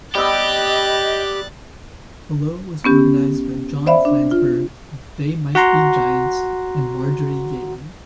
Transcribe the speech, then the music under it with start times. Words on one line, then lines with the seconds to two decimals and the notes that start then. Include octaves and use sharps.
Hello was organised by John Flansburgh of They Might Be Giants and Marjorie Galen.
0.15 G3 B3 G4 D#5 E6 F#6 A6
2.84 B3 C#4 G4
3.86 C5 D5 E5 F5 B5
4.05 D4
4.31 F4
5.55 F#4 F#5 A#5 C6